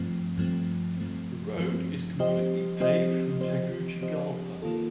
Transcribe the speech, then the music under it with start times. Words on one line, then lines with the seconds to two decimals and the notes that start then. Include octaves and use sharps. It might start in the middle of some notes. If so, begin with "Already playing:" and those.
The road is completely paved from Tegucigalpa.
Already playing: G2 F3 A3 C4
0.37 G2 F3 A3 C4
0.97 G2 F3 A3 C4
1.58 G2 F3 A3 C4
2.19 F3 C4 G4 C5 D#5
2.80 F3 C4 G4 C5 D#5
3.40 F3 C4 G4 C5 D#5
4.01 F3 C4 G4 C5 D#5
4.62 D#3 A#3 F4 A4